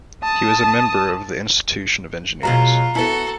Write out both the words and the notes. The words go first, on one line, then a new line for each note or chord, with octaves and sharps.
He was a member of the Institution of Engineers.
A5 D#6
B2 F#3 G#3 F4 A#5
B3 E4 F#4 A4